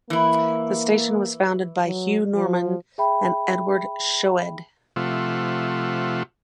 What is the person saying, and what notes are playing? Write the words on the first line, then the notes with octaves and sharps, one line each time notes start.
The station was founded by Hugh Norman and Edward Schoede.
E3 A#3 E4
F#3
F3
G#4 E5 G5 B5
C3 F3 A3 F4 E5 F#5